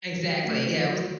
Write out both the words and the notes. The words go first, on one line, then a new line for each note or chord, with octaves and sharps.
Exactly. Yeah, it was
D#3 F#3
A3
F#3